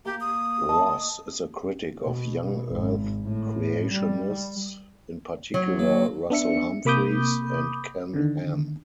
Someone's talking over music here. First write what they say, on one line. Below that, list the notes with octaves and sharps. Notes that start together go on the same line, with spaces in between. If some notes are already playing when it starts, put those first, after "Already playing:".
Ross is a critic of young-Earth creationists, in particular Russell Humphreys and Ken Ham.
A#3 G4
D#6
D#5 A5
B2
G#1
A2
G3
F#3
A#3
B3 D4 E5 C#7
C3 A#3 B5 D6 D#6 G6
D3 D#3